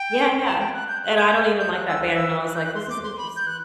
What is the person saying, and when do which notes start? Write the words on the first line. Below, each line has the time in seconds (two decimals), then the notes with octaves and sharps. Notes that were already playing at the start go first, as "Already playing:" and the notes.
Yeah, yeah, and I don't even like that band, and I was, like, "This is interesting."
Already playing: G5
0.45 A5
0.60 G5
0.74 F#6
0.88 G6
1.03 F#6
1.17 G6
1.60 G6
1.74 F#6
1.89 E6
2.02 F#6
2.15 E6
2.46 F#6
2.56 G6
2.65 F#6
2.75 C6
2.89 D6
3.03 C6
3.18 B5
3.36 G6
3.47 F#6